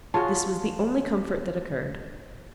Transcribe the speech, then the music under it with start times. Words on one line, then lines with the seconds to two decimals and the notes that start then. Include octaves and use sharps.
This was the only comfort that occurred.
0.14 F4 F#4 G#4 C#5 A5